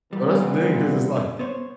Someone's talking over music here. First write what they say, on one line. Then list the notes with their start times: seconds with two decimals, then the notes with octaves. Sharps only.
well, that's the thing 'cause it's, like
0.13 A#2 E3 G3 B3
1.39 B3 C5 C#5